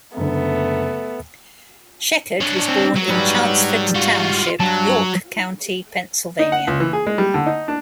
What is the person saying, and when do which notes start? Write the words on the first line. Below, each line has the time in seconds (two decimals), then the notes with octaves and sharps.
Sheckard was born in Chanceford Township, York County, Pennsylvania.
0.17 F#1 D3 A3 B3
2.41 D4 C#5
2.68 C4
2.95 F#3
3.08 G#2 G3 B4
3.95 F4 F#4
4.60 G2 F#3 A5
6.39 D#4
6.52 F#5
6.67 C#2
6.80 E3
6.93 G#4
7.07 G#3
7.18 G3
7.34 D3
7.46 D#4
7.68 D4